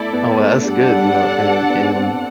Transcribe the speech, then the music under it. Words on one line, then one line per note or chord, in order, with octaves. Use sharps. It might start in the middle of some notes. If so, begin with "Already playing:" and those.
Oh well, that's good, you know, and and,
Already playing: A3 B3 E4 A4 D5
B3
A3
G3 D4 A4 D5 F#5
G3
G3
B3
C4